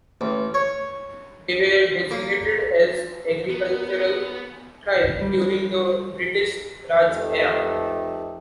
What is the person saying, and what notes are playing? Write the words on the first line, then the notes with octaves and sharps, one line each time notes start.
They were designated as an agricultural tribe during the British Raj era.
A1
C#5
A#3
B3 A#4
G3
F2 A3 D#4 G4 A4 B4